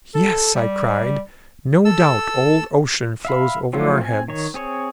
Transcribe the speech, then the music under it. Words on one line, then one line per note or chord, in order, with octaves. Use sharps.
"Yes," I cried, "no doubt old Ocean flows over our heads!"
A4
G3
A4 E6
E5 F5 B5
F3 F#3 A3 E4 F4
C4 G#5
D#3 C#5
C4 G#4 C#5